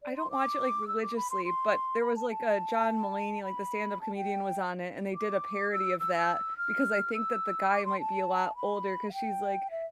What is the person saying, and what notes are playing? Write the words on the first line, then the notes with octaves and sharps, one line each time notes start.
I don't watch it like religiously, but there was, like, a John Mulaney, like the stand-up comedian was on it, and they did a parody of that. Because I think that the guy might be a lot older, 'cause she's like,
D5
C6
D6
E6
D6
B5
C6
C6
B5
A5
A5
B5
A5
G5
D6
E6
E6
E6
F6
E6
D6
C6
A5
B5
F5
G5
E5